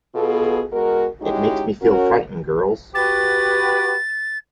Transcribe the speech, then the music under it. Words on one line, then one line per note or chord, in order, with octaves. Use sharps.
It makes me feel frightened, girls.
B2 B3 F4 G#4 A4
B2 G#3 F#4 A#4
G#3 C#4 D#4 E4 F#4 G4
C#4 F#4 A#4
F#4 G4 B4 A6